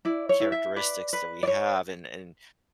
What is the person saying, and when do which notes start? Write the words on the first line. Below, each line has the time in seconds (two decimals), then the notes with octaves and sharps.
characteristics that we have, and and
0.05 E4 D5
0.29 C#5
0.40 E4
0.52 E5
0.76 B4 D5
1.13 B4
1.43 D5
1.47 C#5